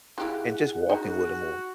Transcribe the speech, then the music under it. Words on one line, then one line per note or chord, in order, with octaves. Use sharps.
and just walking with 'em, or
E4 G4 G#4 F5 F#5
D#4 F#4